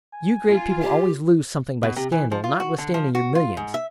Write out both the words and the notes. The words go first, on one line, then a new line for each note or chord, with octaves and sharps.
You great people always lose something by scandal, notwithstanding your millions.
G#5
F4
G4
B2
C3
E3
F3
F4
F#4
D3
F3
F#4
F4
G#2
E5